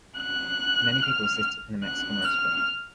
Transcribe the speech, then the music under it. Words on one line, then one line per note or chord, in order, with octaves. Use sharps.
Many people sit in a Mexican restaurant.
F#6
F6
F#6
F6